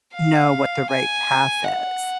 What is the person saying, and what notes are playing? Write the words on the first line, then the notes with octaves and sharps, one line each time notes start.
know what the right path is?
F5
G#5
F#5